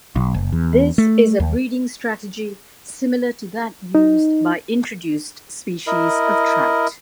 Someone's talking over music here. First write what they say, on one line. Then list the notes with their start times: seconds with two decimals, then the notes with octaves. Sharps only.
This is a breeding strategy similar to that used by introduced species of trout.
0.16 B1
0.34 F#1
0.52 E2
0.98 A3
1.40 D#2
3.95 D#4
5.87 E4 A#4 D#5